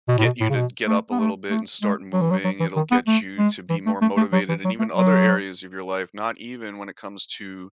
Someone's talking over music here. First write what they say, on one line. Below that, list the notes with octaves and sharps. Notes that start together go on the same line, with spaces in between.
get you to get up a little bit and start moving, it'll get you to be more motivated, and even other areas of your life, not even when it comes to
B2
A2
B2
A2
C#3
B2
A3
B3
A3
A3
G#3
F#3
E3
F#3
F#3
E3
D#3
B3
A3
G#3
E3
A3
A3
A3
F#3
E3
F#3
A3
F#3